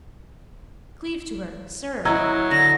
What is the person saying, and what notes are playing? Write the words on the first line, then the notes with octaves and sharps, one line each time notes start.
Cleave to her! Serve!
F#3 E4 D#5 A#5 E6 G#6
D3 A#6